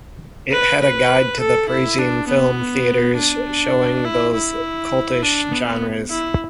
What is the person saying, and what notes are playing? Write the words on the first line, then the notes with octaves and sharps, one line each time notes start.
It had a guide to the Parisian film theatres showing those cultish genres.
B4
B4
A4
E4
D4
B3
D4
E4
E4
D4
B3
E4